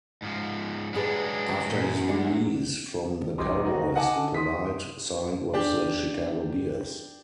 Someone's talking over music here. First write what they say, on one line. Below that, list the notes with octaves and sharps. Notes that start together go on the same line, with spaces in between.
After his release from the Cowboys, Polite signed with the Chicago Bears.
G#2 F3
F#3 G#3 D4 G4 G#4 B4
E2 A#2
G#3 D4 F#4
F1 G3 D#5 C6 D6
D#4 F#4
D#5 F#5 G#5 A5 D6
D3
C6 D#6 B6
D4 G4